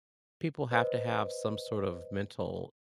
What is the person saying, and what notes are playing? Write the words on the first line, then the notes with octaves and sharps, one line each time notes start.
people have to have some sort of mental
B4 C5 D#5